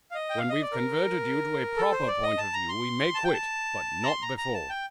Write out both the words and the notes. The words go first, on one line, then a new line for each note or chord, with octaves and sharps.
When we've converted you to a proper point of view we may quit, but not before.
F5
D#5
G5
F5
D#5
D5
A#4
A4
C5
D5
D#5
A5
A#5
C6
A5
G5
A5
A#5
C6
A#5
A#5
A5
G5